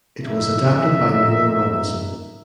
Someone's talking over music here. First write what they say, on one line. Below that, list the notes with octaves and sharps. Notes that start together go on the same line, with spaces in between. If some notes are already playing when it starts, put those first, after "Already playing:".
It was adapted by Noel Robinson.
F2 A#3 D#4 E5